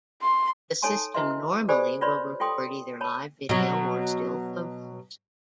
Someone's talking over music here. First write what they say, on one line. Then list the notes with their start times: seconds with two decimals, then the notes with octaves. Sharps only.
The system normally will record either live video or still photos.
0.22 C6
0.82 D#4 A4 C#5 G#5 A5 C6
1.14 E4 F#4 B4 D#5 E5 C6
1.69 G4 A4 C5 D5 G#5 B5
2.01 F4 B4 C#5 D5 B5 C6
2.40 F4 A4 G5 C6 D#6
3.01 C#5 A5 B5
3.49 B2 F#3